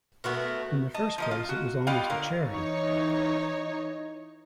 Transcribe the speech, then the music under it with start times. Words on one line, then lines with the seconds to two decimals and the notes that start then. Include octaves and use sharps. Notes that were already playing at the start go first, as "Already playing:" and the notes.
In the first place it was almost a charity.
0.24 A3 B3 F#4 A#4
0.94 D#5 A5
1.18 F3 A#3 D#5
1.31 F4
1.49 F#4
1.87 G3 B3 F4 D#5 F5 G5
2.10 D3 F4 A#4 C#5
2.49 E3 D#4 C#5